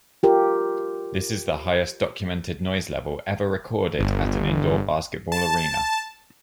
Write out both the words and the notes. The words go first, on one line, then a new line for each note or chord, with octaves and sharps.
This is the highest documented noise level ever recorded at an indoor basketball arena.
F4 G4 A#4
G1
A5